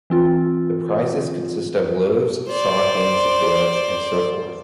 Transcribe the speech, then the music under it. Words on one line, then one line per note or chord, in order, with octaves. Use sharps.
The prizes consist of loaves, stockings, gloves, and so forth.
E3 C4 F4
C5 D5